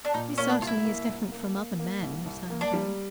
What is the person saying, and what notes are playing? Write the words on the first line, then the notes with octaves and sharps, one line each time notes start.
"He certainly is different from other men," returned Jane.
D4
A#2 D#4
A#3 C#4
D4
C2 F4
E4
A#3
C2
A#3
A#3
A#3
C2
C2
A#3
D4
G3